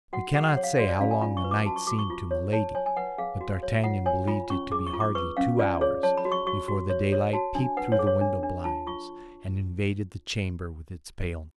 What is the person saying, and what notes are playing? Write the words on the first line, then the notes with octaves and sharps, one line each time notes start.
We cannot say how long the night seemed to Milady, but d'Artagnan believed it to be hardly two hours before the daylight peeped through the window blinds, and invaded the chamber with its paleness.
F#4 F#5
G#4 F#5
F#5
C#5
F5
F#4 D5
D5
C#4 F5
G#5
F4 B5
C#6
B4
D6
F#4 A5
C#6
F#4 D6
C#6
F4
C#5
C#5 A5
C#5 G#5
G#5
B4 F#5
G#4 F5
F#4
C#5
F4 F#5
C#5 G#5
F4 B5
C#4 C#6
G#4 D6
C#6
F4
D6
B4 C#6
C#4 F5
F4 D5
G#4 C#5
C#5 A5
B5
F#4
C#6
F#4 C#6
F#4
C#5
C#5
F#4 A5
D4 G#5
B4 F#5
C#5
G#4
C#5
D4
D4
F4 A5
F4 C#6